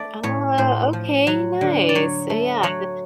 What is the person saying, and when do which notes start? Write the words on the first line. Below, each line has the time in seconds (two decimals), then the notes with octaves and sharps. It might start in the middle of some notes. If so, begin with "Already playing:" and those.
Oh, okay. Nice. Yeah, d
Already playing: A3 D5
0.23 A2 C#5
0.58 A2 C5
0.93 F3
1.27 F#3
1.61 D3
1.89 D5
1.95 F#3 C#5
2.30 A3
2.63 F#3 C#5